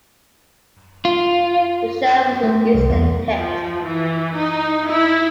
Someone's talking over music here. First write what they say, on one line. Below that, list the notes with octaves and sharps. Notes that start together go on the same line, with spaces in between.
The show was an instant hit.
F4
A3
C2
E2
F3
E3
D#4
E4